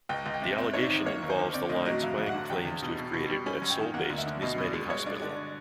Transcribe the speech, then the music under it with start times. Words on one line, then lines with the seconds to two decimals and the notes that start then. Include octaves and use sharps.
The allegation involves the lines Hwang claims to have created at Seoul-based MizMedi Hospital.
0.09 C#2 G5
0.26 C#2
0.34 G5
0.42 C3
0.58 C4 E5
0.74 G#2 C#5
0.82 D5
0.89 D#3
1.06 A#3 C#5
1.22 D#2
1.30 C5
1.38 D3
1.54 C4 D5
1.69 A2 D#5
1.85 F#3 D#5
2.02 F2 E5
2.17 F2
2.26 F#5
2.34 D3
2.50 E2 G5
2.65 E2
2.82 B2
2.98 B2
3.14 B2
3.30 G3
3.46 C#4 G#5
3.62 F#2
3.70 G5
3.78 D#3
3.94 A#3 F#5
4.10 D2
4.18 E5
4.26 D3
4.42 B2 D#5
4.58 B2
4.65 D5
4.73 G#3
4.90 G2 C#5
5.06 G2 D5
5.22 D3 D5